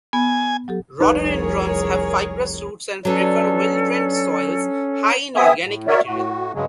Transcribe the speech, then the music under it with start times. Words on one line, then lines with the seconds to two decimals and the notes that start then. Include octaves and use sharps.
Rhododendrons have fibrous roots and prefer well-drained soils high in organic material.
0.13 B3 G#5
0.68 F#3 G4 A4
1.00 F1 C2 D#4 G#4 A#4 B4 C#5
3.05 F#3 C#4 D4 A4 B4
5.36 B3 C4 E5 G#5 D#6
5.65 A2
5.87 F#4 A#4 C#5 D5 E5
6.06 A2 F#4
6.55 G2 C#3 F#3 G#3